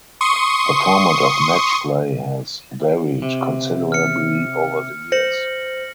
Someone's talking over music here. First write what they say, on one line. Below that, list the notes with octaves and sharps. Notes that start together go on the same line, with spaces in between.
The format of match play has varied considerably over the years.
C6 C#6 D#6
C3
F6 C#7
C5 A#6 C#7 F#7